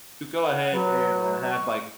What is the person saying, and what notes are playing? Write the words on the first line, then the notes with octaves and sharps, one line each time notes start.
You go ahead and, uh, have, like
F#5
F#3 B4
C#6